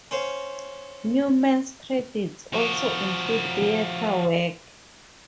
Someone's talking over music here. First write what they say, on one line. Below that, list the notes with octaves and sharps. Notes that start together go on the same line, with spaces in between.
Newman's credits also include theatre work.
C#4 C5 C#5 F5
F3 F#4